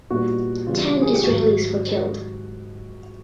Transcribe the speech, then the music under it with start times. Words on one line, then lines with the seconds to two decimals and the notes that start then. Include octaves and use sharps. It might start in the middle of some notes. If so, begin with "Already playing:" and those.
Ten Israelis were killed.
0.10 A#2 G3 B3 D#4 F#4
0.67 C#3 E3 G3 B3 F4
1.02 G#4
1.13 G4
1.24 G#2 D#3 F#3 F#4